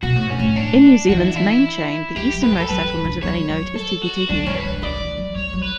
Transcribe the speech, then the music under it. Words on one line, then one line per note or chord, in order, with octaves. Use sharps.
In New Zealand's main chain, the easternmost settlement of any note is Tikitiki.
B2 F#4
A2
G2 C#4
A2
D4
E3 F#4
E4
D4
E4
G3 G4
F#3
B4
G3 G4
A4
F#3 B4
E3
D3
F#3 C#5
F#3
A4
F#4
G3 D4
E3 C#5
B4
D3
D3 D5
E3
F#3
G3 C#5
F#3
B4